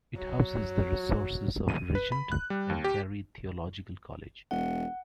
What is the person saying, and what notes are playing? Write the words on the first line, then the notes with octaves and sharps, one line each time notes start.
It houses the resources of Regent and Carey Theological College.
F#3
D#7
B4
B5
F#6
G3
D#2
G4
E1 F#5